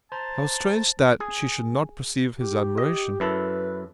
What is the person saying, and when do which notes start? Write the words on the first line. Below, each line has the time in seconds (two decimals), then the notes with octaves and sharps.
How strange that she should not perceive his admiration!
0.12 C5 A5 A#5
1.20 G#4
2.39 G4
2.78 D#5
3.20 F#2 E4 A4 B4